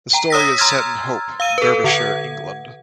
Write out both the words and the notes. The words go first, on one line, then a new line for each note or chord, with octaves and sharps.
The story is set in Hope, Derbyshire, England.
G5 A#5
C#5 D#6 E6 A#6 B6
A#5 C6 E6 F6 G#6 A6
F5 E6 D#7
A4 B4
D3 F#5 G#6